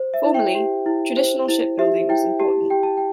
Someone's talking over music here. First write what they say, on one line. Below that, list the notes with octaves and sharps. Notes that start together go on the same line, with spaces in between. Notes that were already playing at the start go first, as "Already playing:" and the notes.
Formerly, traditional ship building was important.
Already playing: C5
E5
E4
G5
G4
E4
C5
E4
G4 E5
E4 G5
G4 A5
G4 G5
A5
G5